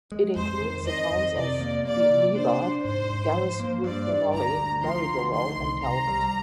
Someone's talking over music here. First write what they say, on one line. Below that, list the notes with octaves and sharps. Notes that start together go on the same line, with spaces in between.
It includes the towns of Bealiba, Carisbrook, Dunolly, Maryborough and Talbot.
G#3
F2 C5
D#3
F2 D#5
F2
C3 D5
A#3
A#3 D5
C3
D4 C5
D4
G#2 C5
G#2
F3
A#3
G2 D5
G2
D2 A#5
D2
F3 C6
D2
D#3 C6
C2
C2 A#5
G3